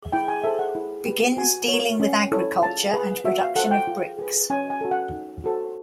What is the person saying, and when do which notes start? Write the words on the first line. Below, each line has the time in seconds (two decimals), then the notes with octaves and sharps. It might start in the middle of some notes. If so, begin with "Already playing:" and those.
Begins dealing with agriculture and production of bricks.
0.12 E4 G5
0.28 G#5
0.44 A4 C5 E5
0.59 F#5
0.75 E4
1.06 G4 B4
1.37 F#4 G#5
1.68 C#5
1.73 A#4
2.00 C#4
2.32 E4 A4 C#5
2.62 F4 A5
2.93 G#4 B4
3.25 F#4 E5
3.41 F5
3.56 A4 F#5
3.59 C5
3.71 G5
3.87 F4
4.19 G#4 B4
4.50 C#4 G#5
4.70 G#5
4.81 F#4 A4
4.91 F#5
5.12 D#4
5.44 F#4 A4 C5